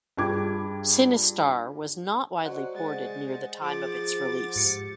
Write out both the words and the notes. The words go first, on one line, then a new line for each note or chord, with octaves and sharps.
"Sinistar" was not widely ported near the time of its release.
G2 F4 G#4 G5 D6 G#6
F#3 C5 D5 D#5 F#5
G#3 A6
F3 G#4 D6 A6
G#2 G4 C#7